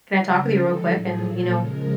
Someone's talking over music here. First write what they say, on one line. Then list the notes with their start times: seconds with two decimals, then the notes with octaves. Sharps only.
can I talk with you real quick?" And, you know,
0.23 C#3 F#3 A#4
0.56 D3 F3 G#3 A4
0.89 A2 F#3 G#4
1.21 A#2 F#3 A4
1.54 C#3 F3 G#3 A#4